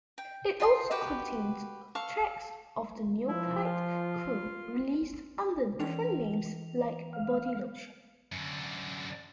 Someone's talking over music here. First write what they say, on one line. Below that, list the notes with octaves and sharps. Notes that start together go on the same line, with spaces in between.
It also contains tracks of the Neophyte crew released under different names like "Bodylotion".
G5
F4 G5 A5 C6
F#4 G4 B4 G5
A4 F5 C#6
F3 E4
F4
E3 C#4 D4 F7
F5
F#2 D3